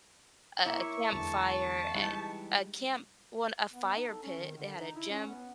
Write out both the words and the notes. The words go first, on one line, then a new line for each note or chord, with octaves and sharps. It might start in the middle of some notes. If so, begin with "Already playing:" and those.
a campfire and a camp well, a fire pit. They had a gym,
A#3 E4 C#5 E5 C#6
E2 D3 G#3 A5
E3 G3 G#3 D#4 G4
B3
D#4
A4
C#4
D#3
D3
D#4
E4
C#4
B3